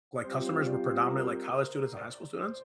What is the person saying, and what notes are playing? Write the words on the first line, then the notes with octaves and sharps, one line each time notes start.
like customers were predominantly like college students and high school students.
G3 C4 F4 C5
C5
D5
C5
A#4
C5
D5
C5